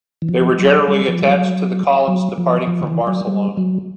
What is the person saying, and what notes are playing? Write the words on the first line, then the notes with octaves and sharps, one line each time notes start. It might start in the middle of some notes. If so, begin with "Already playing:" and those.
They were generally attached to the columns departing from Barcelona.
E3
F3
F#3
G3
F3
G3
F#3
F#3
F3
F3
D#3
E3
F#3
G3
F#3